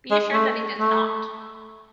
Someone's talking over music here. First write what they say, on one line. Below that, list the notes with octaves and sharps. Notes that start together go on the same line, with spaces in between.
Be assured that he does not!
G#3
A3
A3